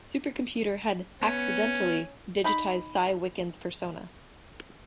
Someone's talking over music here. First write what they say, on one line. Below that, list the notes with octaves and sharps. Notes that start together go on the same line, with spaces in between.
Supercomputer had "accidentally" digitized Sy Wickens' persona.
B3 C#4
D#4 B5